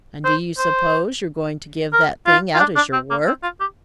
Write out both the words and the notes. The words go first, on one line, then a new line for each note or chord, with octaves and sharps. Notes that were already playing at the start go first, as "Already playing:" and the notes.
'And do you suppose you're going to give that thing out as your work?'
C5
C5
A#4
F4
F4
D4
D4
C4
A#3
C4
F4
G4